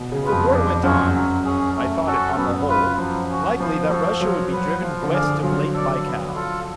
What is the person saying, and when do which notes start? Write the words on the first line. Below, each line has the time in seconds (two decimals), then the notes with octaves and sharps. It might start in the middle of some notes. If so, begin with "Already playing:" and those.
If the war went on, I thought it, on the whole, likely that Russia would be driven west of Lake Baikal.
Already playing: B2
0.12 C#3
0.22 B3 F4 B4
0.32 F2
0.53 F2 D4
0.83 F#2 F4 G#4 C#5
1.14 F#2 F#3
1.45 C#4 G#4
1.76 A3
2.07 C#4 F#4 A4
2.36 F#2 B3
2.68 F4 B4
2.98 F3 F#3
3.29 C#4 F#4
3.60 F3 B3
3.90 F3 F#4 A4
4.21 F#3 F4
4.51 F#3 B4 F#5
4.82 F3 F4
5.03 D3
5.12 G#4 D5 F5
5.23 D3
5.43 F#3 F4
5.74 A4 D5
6.05 B3
6.36 F4 A4